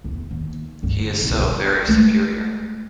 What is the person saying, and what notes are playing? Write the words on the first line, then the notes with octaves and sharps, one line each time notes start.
He is so very superior.
E2
D#2
D2 G2
B1 D3
F#3 G3
G#3 A3